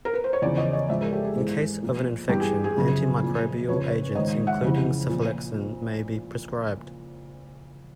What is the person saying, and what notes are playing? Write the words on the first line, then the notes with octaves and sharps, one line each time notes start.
In case of an infection, antimicrobial agents including cephalexin may be prescribed.
A#4
B4
C5
C#5
E2 C#3 F3 C5 D5
C#5 D#5
C#5 D#5
G#2 F3 D5 E5
G#4 A#4
G4 A4
G#4
G#2 E3
A#2 F3
G2 E3 G4
G#4
G#4
F#2 C#3 F3
A#2 F3
F2 C#3 F3 B4 C#5
G#2 D#3 C#5 D#5
E5 F#5
F2 C#3 E3
A#2 F3